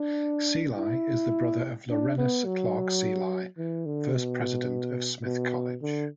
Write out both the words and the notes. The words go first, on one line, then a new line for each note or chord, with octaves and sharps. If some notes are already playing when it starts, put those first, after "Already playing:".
Seelye is the brother of Laurenus Clark Seelye, first president of Smith College.
Already playing: D4
E4
D4
B3
F#3
E3
D3
B2
B2
D3